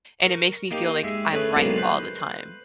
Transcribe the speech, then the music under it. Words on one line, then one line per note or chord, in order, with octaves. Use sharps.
and it makes me feel like I'm right all the time,
A#4 C#6
A#3 D#4 G4
G#3 E5
A3 C#4 G#4 B4
D3 D#3 F#3 G#3 A#3 B3
B4 C5